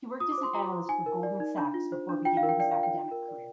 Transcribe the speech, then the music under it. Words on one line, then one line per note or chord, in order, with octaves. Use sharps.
He worked as an analyst for Goldman Sachs before beginning his academic career.
F4 D#6
D6
C5
C6
F4 A#5
C5
D#4 G#5
A#4
D5
D#4
D4
F4
C5
D4
F4 G5
F5
A#4
G5
D5 G5
F5
F4
G5
F4
A#4
D5